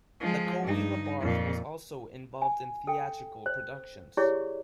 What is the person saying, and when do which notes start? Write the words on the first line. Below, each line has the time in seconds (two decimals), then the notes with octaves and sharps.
Lacoue-Labarthe was also involved in theatrical productions.
0.20 F3 G#3
0.62 G2 D#4
1.21 F2 A#2
2.42 G#5
2.87 A4 G5
3.46 C5
4.17 E4 G4 G#4 C#5 D5 C#6